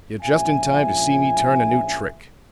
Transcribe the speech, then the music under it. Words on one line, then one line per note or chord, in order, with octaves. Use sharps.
You're just in time to see me turn a new trick.
A#1 G#2 C#3 F3 E5 G#5